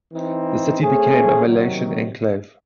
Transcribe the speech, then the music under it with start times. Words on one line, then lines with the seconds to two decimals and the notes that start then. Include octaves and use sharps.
The city became a Malaitan enclave.
0.12 E3 C4 D#4
0.80 A3 C#4 G#4 C5
1.46 C3 D#3 F#3